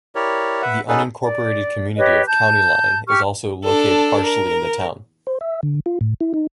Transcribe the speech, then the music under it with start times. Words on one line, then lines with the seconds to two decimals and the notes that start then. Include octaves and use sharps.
The unincorporated community of County Line is also located partially in the town.
0.15 E4 G4 A#4 C#5 D5
0.62 B4 E5 F#5
0.88 B3 C#4 D#4 G#4 A4 B4
1.20 D5
1.97 G4 B4 C#5 D#5
2.28 A5 G6
3.08 G4 C#6 F6
3.64 D4 A4
4.23 A#4
5.27 C5
5.41 E5
5.63 D3
5.86 F4
6.01 A2
6.21 E4
6.34 D#4